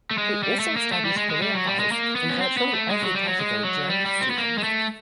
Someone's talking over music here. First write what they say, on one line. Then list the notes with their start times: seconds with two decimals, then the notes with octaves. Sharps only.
He also established career highs in virtually every category during this season.
0.11 A3
0.18 G#3
0.43 G3
0.60 A3
0.77 A#3
0.92 A3
1.05 G3
1.17 G#3
1.30 G#3
1.42 G3
1.55 F#3
1.67 G3
1.80 G#3
1.92 A#3
2.16 B3
2.29 C#4
2.41 C4
2.57 B3
2.73 A3
2.90 G#3
3.02 F#3
3.15 G3
3.27 F#3
3.39 G#3
3.64 F#3
3.90 G3
4.06 G3
4.21 C4
4.31 B3
4.38 A#3
4.58 G#3
4.64 A3